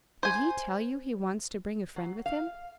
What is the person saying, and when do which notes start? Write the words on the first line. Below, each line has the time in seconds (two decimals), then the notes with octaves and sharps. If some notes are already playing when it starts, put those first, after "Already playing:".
"Did he tell you he wants to bring a friend with him?"
0.23 C5 G#5
1.96 F#3
2.26 F5